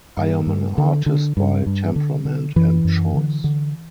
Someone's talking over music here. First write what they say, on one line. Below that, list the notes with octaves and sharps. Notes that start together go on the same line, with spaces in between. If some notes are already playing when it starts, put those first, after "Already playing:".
I am an artist by temperament and choice.
G2
G2
D3
D3
G2
G2
D3
D3
F#2 E3
F#2
D3
D3